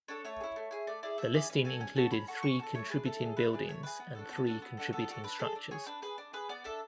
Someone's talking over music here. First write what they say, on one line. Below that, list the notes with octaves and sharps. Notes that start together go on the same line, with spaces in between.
The listing included three contributing buildings and three contributing structures.
D4 A4 C#5
A3 C#5
G#4
E4
A3
E4 G#4
A3 D5
E4 G#4 D5
A3 E5
E4 G#4 D5
C#4 B4
F#4 A4 G#5
C#4 G#5
F#4 A4 A5
C#4 B5
F#4 A4 C#6
C#4 C#6
F#4 A4 A5
A3 C#5
D4 G#4 B4
A3 A4
D4
G#4
A3 B4
D4 G#4
A3 C#5
D4 G#4 B4
B3
D4 F#4 A4
B3 A4
D4 F#4 A4
B3
D4 F#4 A4
B3 A4
D4 F#4 A4
D4 B4
G#4 A4
D4
G#4 C#5
D4 B4
G#4 B4
D4
G#4 B4
B3 D5
D4 A4 E5